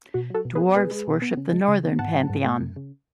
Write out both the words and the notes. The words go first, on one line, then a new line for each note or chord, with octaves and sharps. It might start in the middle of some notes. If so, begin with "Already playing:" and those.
Dwarves worship the Northern Pantheon.
B2 F#4
F#3 F#4 A4
B2
G#4 B4
B3
B2 G#4 B4
G#3
B2
B3
C#3
G#3
C#3
B3
G#2 F#5 A5
F#3
G#2
A3
F#2
C#3